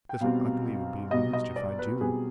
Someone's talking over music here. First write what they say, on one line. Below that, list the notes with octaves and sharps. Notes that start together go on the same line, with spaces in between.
Little Ugly will be amused, if I do.
G5
B1 B2 G3 C4 F5
B1 B2 G3 D#5
D#5
D5
B4
B1 B2 G3 C4 G#4